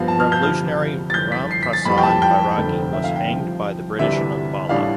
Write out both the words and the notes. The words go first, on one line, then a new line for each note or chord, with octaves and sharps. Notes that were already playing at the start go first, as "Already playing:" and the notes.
The revolutionary Ram Prasad Bairagi was hanged by the British in Ambala.
Already playing: G2 F3 B3 F5
A5
F6
G6
D2 C3 F3 F6
A6
G1 F2 E3 G6
B6
C7
B6
A6
F2 E3 G3 B5
G5
A5
G5
F1 F2 D3 A3 C4
E5
F5
G5
C2 C3 F3
D2 C3 E3 G3 D4 E5
A1 A2 G3 D4 F5